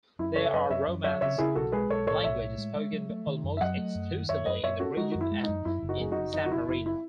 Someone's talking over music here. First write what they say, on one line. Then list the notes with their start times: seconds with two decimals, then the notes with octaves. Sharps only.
They are Romance languages spoken almost exclusively in the region and in San Marino.
0.19 F#2 E4
0.36 C#3 A4 C#5
0.45 E5
0.53 F#2 B4 D#5
0.70 F#2 C#5 E5
0.88 F#2
1.04 F#3 C#5 E5
1.21 C#3 C#5 E5
1.38 C#3 E4 G#4
1.55 B1 F#4 A4
1.72 G#3 G#4 B4
1.90 B1 A4 C#5
2.06 A2 A4 C#5
2.24 B1 C#5 E5
2.41 A2
2.58 G#3
2.76 G#3
2.93 F#3
3.10 A3
3.27 D#3
3.44 F#2
3.57 E5
3.61 F#3 D#5 F#5
3.77 A3
3.95 F#2
4.12 D#3
4.29 F#2 C#5 E5
4.46 F#2 B4 D#5
4.63 F#2 C#5 E5
4.80 C#4 F#4 A4
4.97 G#3 D#4 F#4
5.12 F#4
5.15 F#2
5.21 E4
5.31 G#3
5.43 F#2 D#4
5.65 F#2 E4
5.83 F#1
5.89 D#4 F#4
5.99 F#2 G#4
6.12 D#4 F#4
6.17 F#1
6.33 F#2 D#4
6.46 F#4
6.51 F#1 E4
6.68 F#1 E4
6.86 E4